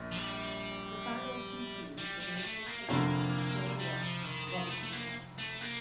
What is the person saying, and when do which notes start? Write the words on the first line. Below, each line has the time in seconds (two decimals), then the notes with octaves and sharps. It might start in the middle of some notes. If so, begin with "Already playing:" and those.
The final two teams eventually compete for the J. Ross Robertson Cup.
Already playing: A#1 A#2
0.12 F3
0.17 G3
1.98 G3
2.20 G3
2.37 G3
2.43 A3
2.66 A#3
2.89 F1 F2 D3 A#3
3.79 G3
4.02 F3
4.24 D#3
4.47 D#3
4.70 A3
4.83 A3
4.93 A#3
5.38 A3
5.61 A#3